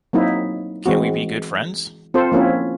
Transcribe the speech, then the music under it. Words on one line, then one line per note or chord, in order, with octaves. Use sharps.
Can’t we be good friends?
F#3 A#3 C4 D#4 E4
E3 G#3 C4 F#4
C4 F4 A4 C5
F3 A#3 C4 C#4 E4